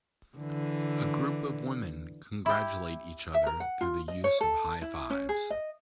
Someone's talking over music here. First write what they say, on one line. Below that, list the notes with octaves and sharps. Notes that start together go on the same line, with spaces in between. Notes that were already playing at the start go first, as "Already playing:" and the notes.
A group of women congratulate each other through the use of highfives.
D3 E3
E4 G4
E5
A#4
F#5
F4
D#5
C#5
A4
E4
C#4
G#4
D#5